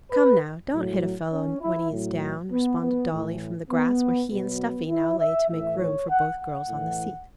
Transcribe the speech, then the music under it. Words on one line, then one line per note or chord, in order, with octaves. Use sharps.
'Come now, don't hit a fellow when he is down,' responded Dolly from the grass where he and Stuffy now lay to make room for both girls on the seat.
B4
A2 F#3
C#4
E4
A2 F#3
B3
B3
A2 E3
B3
B2 F#3 B3
E4
E5
A2 E3 E5
C#5
F#5
F#5
A2 E3